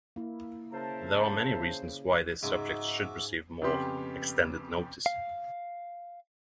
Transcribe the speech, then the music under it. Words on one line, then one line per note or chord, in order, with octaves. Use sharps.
There are many reasons why this subject should receive more extended notice.
A#3 E4
C#3 A#4 C5 E5 A5
G#2 C#3 D#4 F#4 E5 D6
F2 C#3 B3 G4 C6
F5